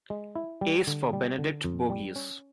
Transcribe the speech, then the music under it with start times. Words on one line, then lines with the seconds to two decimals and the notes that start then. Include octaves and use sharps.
Ace for Benedict Bogeaus.
0.10 G#3
0.36 E4
0.61 G3
0.87 D3
1.13 G3
1.38 D3
1.64 F2
1.90 G3
2.16 C#4